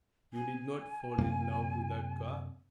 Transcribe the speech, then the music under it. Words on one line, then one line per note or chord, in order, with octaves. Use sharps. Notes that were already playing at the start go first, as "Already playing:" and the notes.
"You did not fall in love with that girl?"
G#5
F#2 C3 A#3